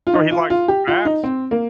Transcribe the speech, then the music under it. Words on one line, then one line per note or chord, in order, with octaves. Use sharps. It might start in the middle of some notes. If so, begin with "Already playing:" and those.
So, he likes baths?
F4
D#4
F4
F4
G4
F4
D#4
C4
A#3